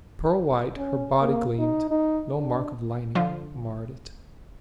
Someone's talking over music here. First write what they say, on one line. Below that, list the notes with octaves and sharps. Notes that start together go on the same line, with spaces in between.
Pearl white her body gleamed; no mark of lightning marred it.
C#4
A#3
D#4
D#4
D4
D3 F3 F4